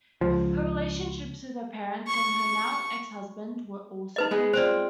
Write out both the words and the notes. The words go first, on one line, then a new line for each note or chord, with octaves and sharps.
Her relationships with her parents and her now ex-husband were also featured.
C#2 F3
C#6
D#4 B4 D#5
G#3 B3 G#4
C4 F4 C5 D5